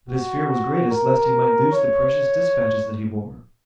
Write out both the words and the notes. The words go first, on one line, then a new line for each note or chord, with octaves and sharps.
But his fear was greatest lest he might lose the precious dispatches that he bore.
F#4
A#4
C#5